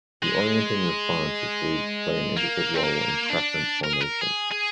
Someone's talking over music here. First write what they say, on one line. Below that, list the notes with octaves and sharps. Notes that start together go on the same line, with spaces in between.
The orienting response is believed to play an integral role in preference formation.
G#3
A#3
C4
A#3
D4
A#4
G#4
A#4
G#4
G#4